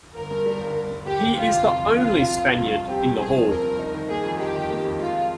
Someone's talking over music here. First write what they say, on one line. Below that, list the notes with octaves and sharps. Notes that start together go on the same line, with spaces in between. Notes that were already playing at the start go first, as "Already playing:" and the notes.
He is the only Spaniard in the Hall.
G1 A#4
G2
G3
G1
G1
G2
G3 G4
G1
F1 F4
F2
C3
F1
F1 F4
F2
C3
F1
G2 F4
F3
C4 G4
G2
G2 G#4
F3
C4 A#4
G2
D#4
D#3
A#3 G#4
F2
D#4 G4
D#3
A#3
F2
G#3 F4